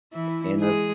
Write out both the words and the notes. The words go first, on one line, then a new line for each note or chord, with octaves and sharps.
in a
E3 E4
G#3 G#4